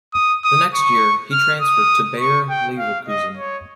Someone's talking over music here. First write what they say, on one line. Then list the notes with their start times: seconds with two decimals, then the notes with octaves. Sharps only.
The next year, he transferred to Bayer Leverkusen.
0.14 D#6
0.44 D#6
0.74 C#6
1.32 F6
1.61 D#6
2.19 C#6
2.49 G5
2.79 F5
3.08 D#5
3.37 C#5